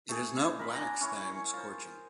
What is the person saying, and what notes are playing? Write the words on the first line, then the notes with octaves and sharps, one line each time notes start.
It is not wax that I am scorching.
A3 G#4
A#4 B5 C6
D4 G#5 A#5
C#4 E4 C#5
F4 C5